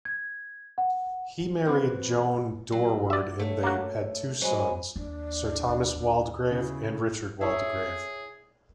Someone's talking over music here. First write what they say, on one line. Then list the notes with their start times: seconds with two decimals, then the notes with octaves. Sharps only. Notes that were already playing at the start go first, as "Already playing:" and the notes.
He married Joane Doreward and they had two sons-Sir Thomas Waldegrave, and Richard Waldegrave.
0.05 G#6
0.78 F#5
1.65 E3 C4 F#4 B4
2.72 F#3
3.10 D5 E5
3.39 A3 C#5
3.63 A#3 F#4
4.42 F#3 G#3 C5 D#5 G#5 B5
4.96 D#2 D4
6.52 C#3 E4
7.41 E4 G#4 C#5